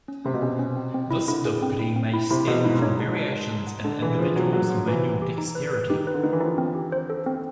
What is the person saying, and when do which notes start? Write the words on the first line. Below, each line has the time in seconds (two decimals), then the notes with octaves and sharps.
This difficulty may stem from variations in individuals' manual dexterity.
0.08 C#4
0.25 C3 C#4
0.34 B2
0.42 C3 C#4
0.59 C#4
0.76 C4
0.94 C4
1.11 E4
1.28 D3 E4
1.45 G#4
1.62 C4
1.79 E4
1.96 C4
2.14 E4
2.31 C3 E4
2.47 B2 G#4
2.64 G#2 E4
2.82 G#2 C#5
3.00 A5
3.17 A5
3.33 A5
3.50 A5
3.67 F#5
3.84 D3 A5
4.02 E3 G#4
4.19 F3 G#4
4.36 F#3 C#5
4.53 F#3 G#4
4.70 F3 F#5
4.87 E3 B4
5.04 G4
5.22 G4
5.38 D#4
5.55 B4
5.73 B4
5.90 D#3 G4
6.07 B4
6.14 D3
6.23 D#3 B4
6.32 E3
6.41 F3 D#4
6.58 C4
6.75 G4
6.92 C5
7.10 A4
7.26 C4